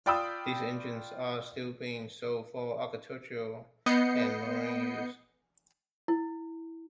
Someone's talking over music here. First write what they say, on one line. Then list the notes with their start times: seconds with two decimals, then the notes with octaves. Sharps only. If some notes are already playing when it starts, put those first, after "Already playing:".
These engines are still being sold for agricultural and marine use.
0.06 F4 D5 G5 B5 D#6 E6
3.86 B3 D#5 G6 C7 C#7
6.08 E4